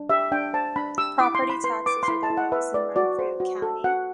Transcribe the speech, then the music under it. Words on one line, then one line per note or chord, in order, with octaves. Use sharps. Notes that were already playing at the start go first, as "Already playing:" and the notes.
Property taxes are the lowest in Renfrew County.
Already playing: D4
G4 E5
D4 G5
C5 A5
D4 B5
G4 E6
E4 D6
C6
E4
B5
B4 C6
B4 D6
C6
E4 B5
A5
E4
F#5
B4 E5
B4 D5
F#4 D5
C5
F#4
A4
F#4 F#5